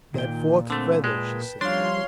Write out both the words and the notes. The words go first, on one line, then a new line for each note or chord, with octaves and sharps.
"That fourth feather," she said.
A#2 D#3 G5
D3 A3 C4
G#3 B4 G5 A5
F3 G3 D4 C#5 F5 C6